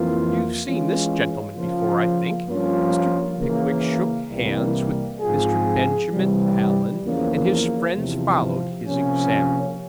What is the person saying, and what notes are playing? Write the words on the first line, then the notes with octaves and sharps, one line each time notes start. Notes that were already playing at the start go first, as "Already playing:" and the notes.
You've seen this gentleman before, I think?' Mr. Pickwick shook hands with Mr. Benjamin Allen, and his friends followed his example.
Already playing: F2 E3 A#3 F4
E3 G#3 C#4 F4
C#3 F3 A#3 F4
G2 F3 A#3 C#4 F4
C#3 E3 A#3
C2 C3 E3 G3 A#3
G#2 F3 C4 F4 G#4
C3 E3 G3
E2 C#3 F3 A#3 C#4
E2 C3 F3
C3 F3 A#3 C#4